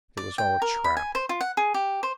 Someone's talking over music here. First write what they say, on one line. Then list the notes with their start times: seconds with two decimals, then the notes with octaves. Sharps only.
It was all a trap.
0.17 D5
0.38 G5
0.62 A#4
0.84 B5
0.97 G#5
1.15 C5
1.29 F4
1.41 F#5
1.57 G#4
1.74 G4
2.03 C5